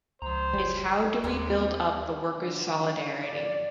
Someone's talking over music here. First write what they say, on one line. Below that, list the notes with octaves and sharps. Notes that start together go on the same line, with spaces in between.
It’s how do we build up the workers’ solidarity.
C#2 F3 C5 A#5
F#1 G3 G4 G#4
D#2 G3 G#3 C4 A#4 D5
D3
D5